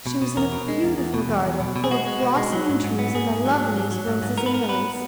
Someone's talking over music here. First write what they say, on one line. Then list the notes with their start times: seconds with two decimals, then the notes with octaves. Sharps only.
She was in a beautiful garden, full of blossoming trees and the loveliest roses and lilies.
0.07 B2
0.22 B2
0.37 E2 A#4
0.52 B2
0.68 G#3
0.83 E2
0.98 E2
1.14 B2
1.29 E2
1.45 E2
1.60 B2
1.76 B2
1.84 G#4
1.91 G#3 F#4
2.07 G#3
2.22 B2
2.37 G#3
2.53 F#3
2.69 G#2
2.84 G#2
2.99 B3
3.15 G#2 G#4
3.30 G#2
3.46 F#3
3.61 G#2
3.76 F#3
3.91 F#3
4.08 G#2
4.22 G#2
4.38 B3 A#4
4.46 B4
4.53 B3 A#4
4.69 B3 B4